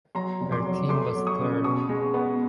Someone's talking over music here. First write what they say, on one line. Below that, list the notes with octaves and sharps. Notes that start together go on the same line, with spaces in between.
Her team was third.
F#3 A#5 C6
F1
C6 D6
F#3
A3 C6 D6
F#3
C#6 D#6
C#3
B2 C#6 D#6
G#3
B3